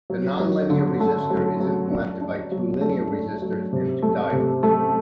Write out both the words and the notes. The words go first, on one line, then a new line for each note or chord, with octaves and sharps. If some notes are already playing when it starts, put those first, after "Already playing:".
The nonlinear resistor is implemented by two linear resistors and two diodes.
F#3
F#3
D3
A3
F#3
F#3
D4
D4
F#3
A3
D4
F#3
C3
A3
C3
A3